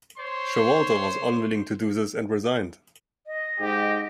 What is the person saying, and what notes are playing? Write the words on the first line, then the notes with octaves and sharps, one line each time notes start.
Showalter was unwilling to do this and resigned.
C5 C#5 C6
D#5
G#2 G4